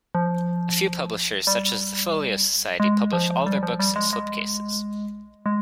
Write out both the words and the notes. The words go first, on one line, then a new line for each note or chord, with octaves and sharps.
A few publishers, such as the Folio Society, publish all their books in slipcases.
F3
G3
G#3
F3
G3
F3
G3
G#3
G#3
G#3